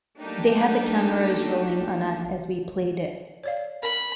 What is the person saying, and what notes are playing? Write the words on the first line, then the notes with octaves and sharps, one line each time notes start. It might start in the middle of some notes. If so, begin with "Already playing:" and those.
They had the cameras rolling on us as we played it.
F#3 A3 A#3 D4 D#4 G4
C#5 D5 F5
A#4 B5